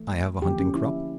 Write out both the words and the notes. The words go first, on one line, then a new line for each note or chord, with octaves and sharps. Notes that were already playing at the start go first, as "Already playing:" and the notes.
"I have a hunting-crop."
Already playing: E3 A3
D3 F3 A#3 G4
C#4
E4